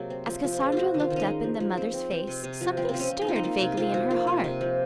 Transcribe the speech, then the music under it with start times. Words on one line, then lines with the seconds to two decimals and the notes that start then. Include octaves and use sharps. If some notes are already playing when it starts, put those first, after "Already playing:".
As Cassandra looked up in the mother's face, something stirred vaguely in her heart.
Already playing: C3 F#3 A#3 G#4
0.10 C4
0.27 F3
0.44 F3
0.60 G#3
0.72 C4 F4 F#4
0.94 D#3
1.00 F4
1.10 D#3
1.16 C#4
1.21 D#4
1.27 G#3
1.43 F3
1.60 F3
1.77 C4
1.94 C4
2.11 C4
2.27 C3
2.44 C3
2.61 F3
2.77 F3 C4
2.89 C4
2.94 F3
2.99 C#4
3.11 C4
3.21 D#4
3.27 C4 F4
3.36 D#4
3.43 A#3 F4
3.61 C3
3.77 C3 F4
3.94 F3 F#4
4.11 A#3 F4
4.27 C3 F4
4.44 C3
4.61 F3